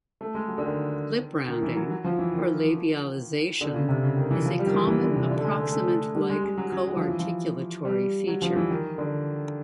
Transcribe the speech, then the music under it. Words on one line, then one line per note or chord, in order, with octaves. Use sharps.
Lip rounding, or labialization, is a common approximant-like co-articulatory feature.
A3
G#3
F#3
D3
D#3
D#3
E3
F#3
F#3
F3
E3
D#3
D3
C#3
C3
C#3
D#3
E3
F3
G3
D#3
E3
E3
D3
C3
D3
A3
G#3
A3
A3
G3
G#3
G#3
F#3
F#3
F#3
F3
E3
F3
G3
F#3
F3
E3
D#3
D3